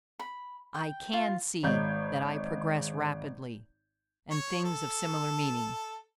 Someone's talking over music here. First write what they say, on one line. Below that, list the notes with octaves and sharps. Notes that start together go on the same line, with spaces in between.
"I can see that I progress rapidly," and things of similar meaning.
B5
G5
F4
G#1 G#3 C#5 G6
C#5
A4